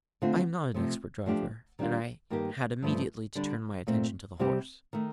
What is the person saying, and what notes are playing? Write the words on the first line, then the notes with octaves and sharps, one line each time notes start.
I am not an expert driver, and I had immediately to turn my attention to the horse.
D3 A3 C4 F4
C3 F3 A3
F3 A3 D4 G4
D#3 G3 D4 F4
G2 D#3 A#3 D#4 G4
G2 F3 A3
D3 G3 D4
A#2 A3 C4
C3 G3 C4 G4
D#3 A3